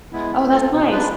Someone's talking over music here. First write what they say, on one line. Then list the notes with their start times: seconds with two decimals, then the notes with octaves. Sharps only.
Oh, that's nice.
0.13 G#3 B3 E4
0.31 A3
0.50 C4 F4 A4
0.70 B2
0.89 G#3 D4 F4 B4